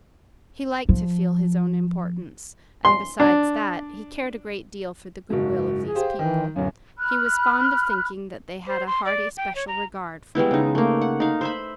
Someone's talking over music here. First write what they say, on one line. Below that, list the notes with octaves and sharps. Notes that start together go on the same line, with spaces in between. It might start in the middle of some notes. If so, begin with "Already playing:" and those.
He liked to feel his own importance, and besides that, he cared a great deal for the good-will of these people: he was fond of thinking that they had a hearty, special regard for him.
F3
C6
D4
F#1 G#2 F#4
G#4
G4 C5 F5
D#3 E3 G5
D1 F#2 F#3 F5
B5 F6 F#6
C5
C6
D5
G5
C#5
A#5
G3 G#3 B3 E4
C#3 D#4
A3 A#3
F#5
D#4 F5
C5 E5 B5